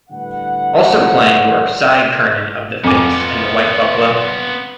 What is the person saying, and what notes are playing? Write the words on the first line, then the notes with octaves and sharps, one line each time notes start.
Also playing were Cy Curnin of The Fixx, and The White Buffalo.
A2 D3 G3 B4 F#5
F2 B3 F4 G#5 D6